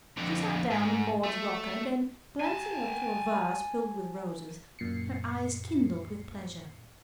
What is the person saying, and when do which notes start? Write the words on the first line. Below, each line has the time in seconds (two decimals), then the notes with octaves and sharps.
She sat down in Maude's rocker, then, glancing over to a vase filled with roses, her eyes kindled with pleasure.
0.17 F2 D3
0.70 G#2
1.23 A3
2.40 G#5 A5
4.79 F#2 A#2 C7 C#7